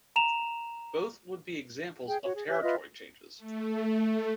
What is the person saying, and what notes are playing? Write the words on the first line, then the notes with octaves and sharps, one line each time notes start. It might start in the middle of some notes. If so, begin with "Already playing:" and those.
Both would be examples of territory changes.
A#5 E7 F7
G#4 G5
F#4 C#5
G#4
G4 C#5 E5 G#5
F4 B4 D#5 E5
A3